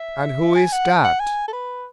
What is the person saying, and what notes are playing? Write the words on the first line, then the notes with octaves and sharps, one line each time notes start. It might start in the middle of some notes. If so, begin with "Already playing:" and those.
And who is that?
Already playing: E5
G#5
F#5
F#5
G#5
A4
B4